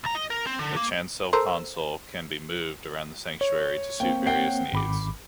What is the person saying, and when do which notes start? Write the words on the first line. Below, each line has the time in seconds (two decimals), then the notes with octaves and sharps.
The chancel console can be moved around the sanctuary to suit various needs.
0.04 C2 A#5
0.15 D#5
0.30 A#4
0.47 C4
0.59 D3
0.76 A#3
1.33 A4 A#4 C5
3.41 C#5
4.00 A#3 C4 G5
4.26 F#5 G5 C7
4.73 G#1 B5 D6